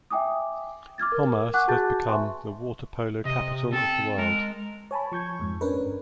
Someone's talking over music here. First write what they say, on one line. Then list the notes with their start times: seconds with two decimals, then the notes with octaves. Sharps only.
Commerce has become the water polo capital of the world.
0.10 E5 G5 G#5 D6 D#6
0.98 D6 F6 G#6 A6
1.12 A#4
1.54 F#5 G#5 C#6 D6 F#6
1.68 F#4 G#4 A5 G6 A6
2.07 B4 E5 G#5 C6 C#6
3.25 C3 D#5
3.73 C4 A4 G5
4.18 G#3 A#4
4.91 C#5 G#5 A5 B5
5.12 F3 C#6 G6 G#6
5.39 F2 G#2
5.61 C#4 D4 A#4 B4
5.80 G1